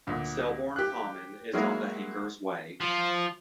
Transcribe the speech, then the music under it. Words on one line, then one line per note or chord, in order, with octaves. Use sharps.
Selborne Common is on the Hangers Way.
D2 A#2
G4 F#6
F#3 G#3 A#3 E4 F#4 A#4
F3